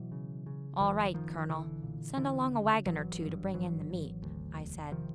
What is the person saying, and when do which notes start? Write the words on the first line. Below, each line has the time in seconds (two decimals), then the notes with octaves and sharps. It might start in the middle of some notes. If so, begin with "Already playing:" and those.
"All right, Colonel; send along a wagon or two to bring in the meat," I said.
Already playing: B2 E3 F#3
0.12 C#3
0.46 C#3
0.80 F#1 D#3 F3
1.14 F#1 D#3 F3
1.49 B1 D3 E3
1.83 A#2
2.17 E1 D3 E3
2.51 C#3
2.86 G#1 E3 F#3
3.21 G2
3.54 G#1 E3 F#3
3.90 G#1
4.23 D2
4.58 E1
4.92 C3 D#3 F3